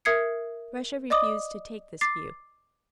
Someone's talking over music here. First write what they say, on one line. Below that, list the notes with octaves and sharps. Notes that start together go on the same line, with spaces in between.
Russia refused to take this view.
A#4 E5 D#6 G#6 C7 C#7
D5 D#5 D6 D#6
D6 A6 C7